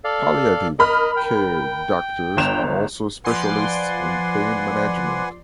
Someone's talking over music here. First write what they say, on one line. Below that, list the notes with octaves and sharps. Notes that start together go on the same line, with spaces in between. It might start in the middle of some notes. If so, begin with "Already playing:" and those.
Palliative care doctors are also specialists in pain management.
A4 D5 F5
A#4 D#5 B5 D#6 F6
G5
G1 E7 F7
F3 B4 D5 F#5 G#5 C6